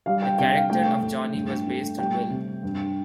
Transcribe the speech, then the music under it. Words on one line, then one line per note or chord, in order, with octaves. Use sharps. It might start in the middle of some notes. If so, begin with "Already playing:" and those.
The character of Johnny was based on Will.
G3 F5
G5
C3 G5
F5
A3 G5
A2
G2
A3
G3 G5
C3
G2